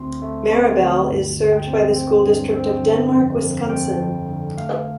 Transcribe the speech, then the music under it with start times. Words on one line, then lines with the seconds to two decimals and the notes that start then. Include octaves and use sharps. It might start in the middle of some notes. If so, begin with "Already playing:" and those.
Maribel is served by the School District of Denmark, Wisconsin.
Already playing: D2 A3 C4 C6
0.22 A3
0.51 C4
0.79 D2
1.08 G2
1.38 D3
1.51 G5
1.67 C4
1.96 C4
2.25 G2
2.54 C4
2.83 D3
3.13 F2
3.41 F2
3.69 F2 G5
4.00 F2
4.29 D3
4.57 A3 F5